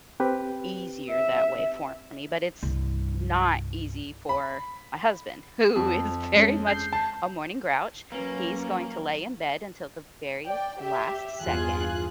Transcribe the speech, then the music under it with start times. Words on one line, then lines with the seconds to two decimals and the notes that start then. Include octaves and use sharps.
easier that way for me, but it's not easy for my husband who is very much a morning grouch, he's going to lay in bed until the very last second,
0.20 C4 G4 B4
1.09 E5
2.63 C2 G2
4.29 B5
5.76 F2
6.36 G#3 C#4
6.67 G6 C7
6.93 A5
8.12 F#3 A#3 C#4 B4
10.47 D5 G5
10.79 G4 E5
11.43 E2 G2 F4 G#4 F#6